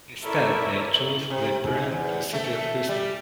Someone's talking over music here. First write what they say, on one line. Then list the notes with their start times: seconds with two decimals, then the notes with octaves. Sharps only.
Instead, they chose the brand-new city of Houston.
0.25 E4 A4 A#4 C#5 D5 E5
1.30 C3
1.64 G#2
1.91 E2
2.33 A3
2.89 G3